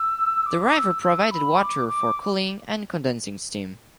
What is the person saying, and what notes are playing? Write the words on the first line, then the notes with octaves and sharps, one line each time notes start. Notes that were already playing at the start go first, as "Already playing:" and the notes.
The river provided water for cooling and condensing steam.
Already playing: E6
D6
E6
E6
B5
D6
D6